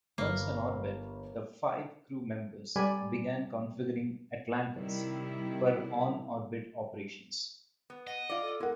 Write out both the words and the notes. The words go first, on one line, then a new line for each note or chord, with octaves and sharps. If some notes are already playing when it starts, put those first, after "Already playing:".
Once on orbit, the five crew members began configuring "Atlantis" for on-orbit operations.
G1 A#3
G3 D5 G#5 B5
C3 D#3 G3 E4
B3
D#5 F#5
F4 D5
A4
G#3 A#4 F#5